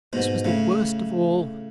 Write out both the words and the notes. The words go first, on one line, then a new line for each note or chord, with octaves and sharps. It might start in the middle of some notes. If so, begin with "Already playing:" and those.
This was the worst of all!
G#2 B2
A2 C#3